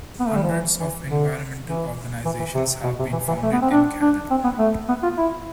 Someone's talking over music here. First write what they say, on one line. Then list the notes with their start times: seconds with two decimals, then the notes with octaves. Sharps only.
Hundreds of environmental organizations have been founded in Canada.
0.20 B3
0.27 A3
0.35 G3
0.43 F3
0.50 E3
0.79 E3
1.08 D3
1.67 E3
2.25 E3
2.39 E3
2.54 C3
2.84 B2
2.99 C3
3.12 E3
3.28 E3
3.43 A3
3.52 B3
3.62 C4
3.71 D4
4.01 D4
4.30 C4
4.44 B3
4.59 A3
4.89 B3
5.03 F4
5.17 E4